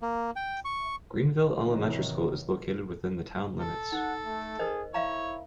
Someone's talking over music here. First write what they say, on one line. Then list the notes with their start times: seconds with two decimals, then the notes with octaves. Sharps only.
Greenville Elementary School is located within the town limits.
0.02 A#3
0.36 G5
0.65 C#6
1.65 A2 C3 D#3 E3 F#3
3.60 A4
3.92 D#4 F#5
4.25 A3
4.59 G#4 A#4 C5 D#5
4.94 E4 C#5 E5 F5 A#5